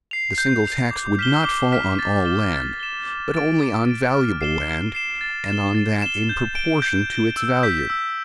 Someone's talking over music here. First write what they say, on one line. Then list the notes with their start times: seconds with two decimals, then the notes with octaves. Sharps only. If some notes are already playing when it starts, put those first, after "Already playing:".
The single tax would not fall on all land, but only on valuable land, and on that in proportion to its value.
0.11 C7 F7
0.38 G6
0.65 C7 F7
0.91 D6
1.19 F6 B6 E7 G7
1.45 D6
1.72 F6 B6 E7 G7
1.99 A6
2.25 E7 G7
2.53 A6
2.80 E7 G7
3.06 D6
3.34 A6 D7
3.61 D6
3.87 A6 D7
4.14 F6
4.41 C7 E7 G7
4.68 F6
4.95 C7 E7 G7
5.21 A6
5.48 E7 G7
5.75 A6
6.02 E7 G7
6.29 G6
6.55 D7 G7
6.82 G6
7.10 D7 G7
7.37 E6
7.63 G6 B6
7.90 E6